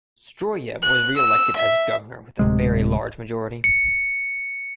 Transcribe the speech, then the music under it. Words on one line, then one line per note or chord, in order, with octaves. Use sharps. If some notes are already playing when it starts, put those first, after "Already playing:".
Stroyev was reelected as governor with a very large majority.
F#6
E6
E5
D1 C3 G#3
C#7